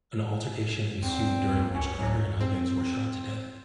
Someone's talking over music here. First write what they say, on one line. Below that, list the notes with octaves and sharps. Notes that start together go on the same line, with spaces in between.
An altercation ensued during which Carter and Huggins were shot to death.
E2 C4
D#2
C#2 C#4
D2 F#3
C4